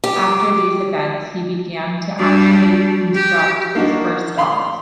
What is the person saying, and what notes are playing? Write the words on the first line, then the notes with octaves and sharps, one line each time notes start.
After these events, he began to actually construct his first dolls.
G4
G3 D4 F#4
G4
A#3 D4 D#4 F#4
F5 B5 C6